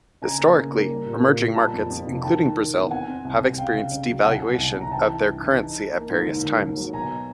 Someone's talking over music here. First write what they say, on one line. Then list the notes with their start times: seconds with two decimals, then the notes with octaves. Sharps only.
Historically, emerging markets, including Brazil, have experienced devaluation of their currency at various times.
0.22 C#3 G#5 A#5
0.38 A#3
0.55 C#3
0.72 A#3
0.89 G3
1.06 A#2
1.23 A#2
1.40 A#2
1.56 G3 A5 B5
1.73 F2
1.90 F2
2.07 C3
2.23 D#3 G5 A5
2.40 D#3
2.57 D#3
2.73 E2
2.91 C4 F#5 G#5
3.08 C4
3.25 C2
3.41 C2
3.57 C#3 F5 G5
3.75 C#3
3.92 C#3
4.08 F#3
4.24 C2 F#5 G#5
4.42 C2
4.58 C2
4.75 C2
4.81 A#5
4.92 E3 G5 A5
5.09 E3
5.26 G2
5.42 E3
5.60 D#4
5.76 D#4
5.93 A#3
6.10 G#2
6.27 D#2
6.43 D#2
6.60 D#2
6.77 F#3
6.93 B2 G#5 A#5